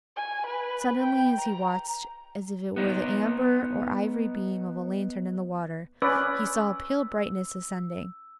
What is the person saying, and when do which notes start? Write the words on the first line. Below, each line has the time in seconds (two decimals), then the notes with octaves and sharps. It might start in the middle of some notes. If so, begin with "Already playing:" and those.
Suddenly, as he watched, as if it were the amber or ivory beam of a lantern in the water, he saw a pale brightness ascending.
0.16 G#5
0.47 B4
1.03 G5
1.38 A#5
2.76 B3 D#4
6.02 C#4 B4 D5 E6